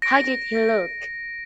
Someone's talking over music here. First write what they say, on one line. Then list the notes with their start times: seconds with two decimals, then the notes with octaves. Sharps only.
How did he look?
0.02 A#6 D7